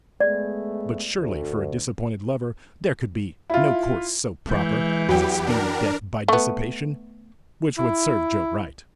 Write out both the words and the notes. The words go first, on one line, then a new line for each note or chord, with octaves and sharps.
But surely, for a disappointed lover there could be no course so proper as a speedy death by dissipation--which would serve Joe right.
G#3 A3 B3 D5
D2
E4 F4
E3 G#3 E5 G6
E2 F#3 G4 F#5 G5 B5
D4 A#4
A3 B3
E4